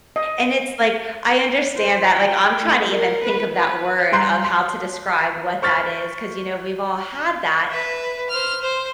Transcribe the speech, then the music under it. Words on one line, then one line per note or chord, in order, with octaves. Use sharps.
And it's like, I understand that, like, I'm trying to even think of that word of how to describe what that is, 'cause, you know, we've all had that,
D#5
C5
G5
A3
A#4
B4
B4
G3 A#5 C6 F#6 G6 C7
C6
C5 C#6 F6 A6 B6
B4 E5
C5 F6
C5